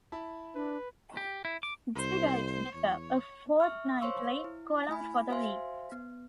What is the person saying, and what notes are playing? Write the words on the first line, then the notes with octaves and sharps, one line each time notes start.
De writes Detour, a fortnightly column for The Week.
E4 A5 B5
D4 B4
G4
E4
D6
C2 C5
E2 C#5
E5 C#6 F6
C5 C#5 F5 C6 C#6 E6
E4
A3 E4 G#5 B5
F#4 C5 E5 F5 G#5 C6
B3